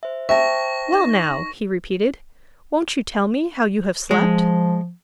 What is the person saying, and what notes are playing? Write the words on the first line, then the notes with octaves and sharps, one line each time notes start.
"Well, now," he repeated, "won't you tell me how you have slept?"
C5 E5
C5 E5 G5 A5 C#6 A#6
D#4
F3 G#3